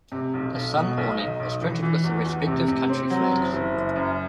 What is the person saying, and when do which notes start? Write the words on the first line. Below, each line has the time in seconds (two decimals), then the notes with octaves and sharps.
The sun awning was printed with the respective country flags.
0.12 C3
0.34 B1
0.55 B1
0.76 B2
0.97 B1
1.19 D#4
1.40 B1
1.61 E3
1.83 E3
2.04 E2
2.26 E2
2.47 C3
2.68 C3
2.89 C4
3.10 F#3
3.32 F#1
3.53 F#1
3.75 F#2
3.96 F#2